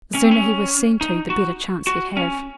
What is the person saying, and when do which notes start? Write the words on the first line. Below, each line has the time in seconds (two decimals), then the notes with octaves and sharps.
The sooner he was seen to, the better chance he'd have.
0.15 C#4
0.24 C4
0.31 C#4
1.01 D#4
1.30 F#4
1.87 F#4
2.17 C#4